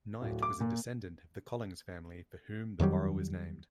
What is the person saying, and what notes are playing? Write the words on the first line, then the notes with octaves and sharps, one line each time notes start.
Knight was a descendant of the Collings family for whom the borough is named.
D1
D6
A#2
F2 D#3 F#3 G3